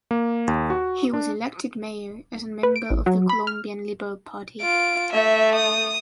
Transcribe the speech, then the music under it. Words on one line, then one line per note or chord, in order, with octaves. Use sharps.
He was elected mayor as a member of the Colombian Liberal Party.
A#3
D#2
F#4
D4
B4
D7
A1
F#3
B5
F6
F4 D7
A3 E5
D#6